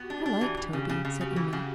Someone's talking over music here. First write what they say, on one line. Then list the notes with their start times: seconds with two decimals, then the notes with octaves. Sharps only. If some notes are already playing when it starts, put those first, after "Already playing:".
'I like Toby,' said Una.
Already playing: B3 F#4 G4
0.10 D4
0.26 D4
0.41 E3
0.57 E3
0.73 C#3
0.89 C#3
1.05 C#3 F#4
1.21 C#3
1.36 E3
1.53 C#3